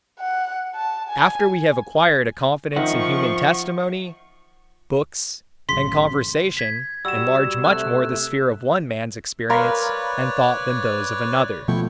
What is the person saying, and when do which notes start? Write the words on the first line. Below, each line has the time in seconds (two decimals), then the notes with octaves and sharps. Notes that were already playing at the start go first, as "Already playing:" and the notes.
After we have acquired a confidence in human testimony, books and conversation enlarge much more the sphere of one man's experience and thought than those of another.
0.20 F#5
0.75 A5
1.09 G#5
2.76 D#3 F3 C4 D#4 E5 F#5 C#6
5.69 A1 F#2 C#3 C6 B6
6.57 G#6 B6
7.05 G3 F#4 E6 E7
7.65 C3 A3 F#6
9.50 A#4 B4 C#5 D5 F5 B5 C6
11.68 B2 F3 A3 E4 G5 C#6